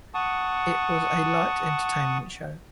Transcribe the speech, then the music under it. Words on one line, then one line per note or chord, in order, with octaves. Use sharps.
It was a light entertainment show.
F#5 A5 C#6 D#6